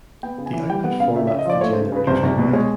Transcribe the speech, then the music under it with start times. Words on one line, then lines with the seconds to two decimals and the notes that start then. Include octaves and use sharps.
The output formats the generators can write.
0.23 B3 G5
0.38 C#3
0.46 G#5
0.53 E3
0.69 G3 G5
0.84 B3 F#5
1.00 C#3 F5
1.15 C#3 E5
1.27 E5
1.31 C#3
1.39 D#5
1.45 F3 D5
1.61 A3 C#5
1.73 C5
1.77 C#3
1.92 C#3 B4
2.07 C2 C5
2.23 C2
2.38 B2
2.53 G#3 C#5